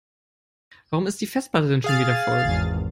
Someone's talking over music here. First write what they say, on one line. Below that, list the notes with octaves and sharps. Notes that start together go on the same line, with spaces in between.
Warum ist die Festplatte denn schon wieder voll?
G#4 F5 A6
G#1 E2